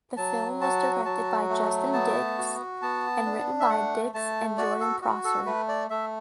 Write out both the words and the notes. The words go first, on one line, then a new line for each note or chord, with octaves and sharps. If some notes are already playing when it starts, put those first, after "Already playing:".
The film was directed by Justin Dix and written by Dix and Jordan Prosser.
F#3 A5
F#4 A5
F#3 A5
A3
B3 A5
F#4
B3 A5
D4
E5
A3 F#5
A3 A5
F#4 D5
A4
F#4
A4
A3 B4
D5
A3 E5